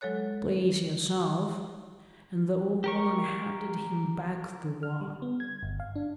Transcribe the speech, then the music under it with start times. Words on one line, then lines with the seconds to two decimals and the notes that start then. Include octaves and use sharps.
"Please yourself"--and the old woman handed him back the watch.
0.01 F#3 G#3 A4 C#5 F#6
2.84 G4 A#4 C#6
4.83 F6
5.01 G3
5.22 B3
5.40 G#6
5.63 G1
5.80 F5
5.96 D4